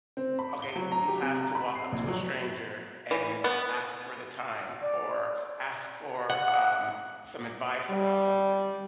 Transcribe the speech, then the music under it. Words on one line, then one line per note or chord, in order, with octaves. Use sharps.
"Okay, you have to walk up to a stranger and ask for the time or ask for, um, some advice about something."
C4
B5
G7
F#3
A#5
G4
C3
A#5
B5
C7
A#1
F#3
E3
B3
D5
F#5
G3